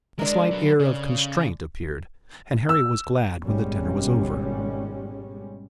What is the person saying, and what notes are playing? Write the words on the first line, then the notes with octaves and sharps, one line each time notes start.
A slight air of constraint appeared and Harry was glad when the dinner was over.
D3 G#3 D4 A#4
F#3 B4
C#3
E6
G#1 B2 G3 G#3 C#4